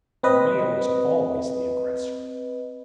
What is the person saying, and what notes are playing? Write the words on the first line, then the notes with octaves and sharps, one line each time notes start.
The male is always the aggressor.
C4 B4 D#5